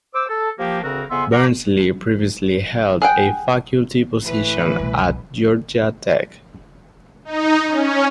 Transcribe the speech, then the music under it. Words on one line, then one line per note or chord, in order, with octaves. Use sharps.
Barnsley previously held a faculty position at Georgia Tech.
C5 D6 E6
A4
F3 A#3 G4
D2 C#3 C4 F#4 A#4
F2 C#3 B3 E5 G#5 C6
F#5 A#5 D6
G#4 F#5 G5
A2 E3 B4
C2 B2
D#4
C#4